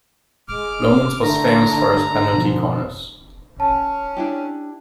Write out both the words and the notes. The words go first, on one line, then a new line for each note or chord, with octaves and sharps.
Lomans was famous for his penalty corners.
G#3 D6 F6
D3 A3 A#5
G#2 B2 F3
C#4 A5
D4 E4 G4